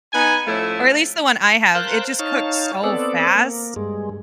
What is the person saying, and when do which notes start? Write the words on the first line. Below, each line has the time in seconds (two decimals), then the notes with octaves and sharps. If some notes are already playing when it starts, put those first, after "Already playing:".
Or at least the one I have. It just cooks so fast.
0.13 B3 D#4 G#5
0.48 A2 F3 A3 C#4 E5
1.75 A#4 C5 F5 A5 F#6 G6
2.19 D#4 C#5 F5 A5
2.84 B3 C4 A4 D5
3.35 A#3
3.76 G2 G#3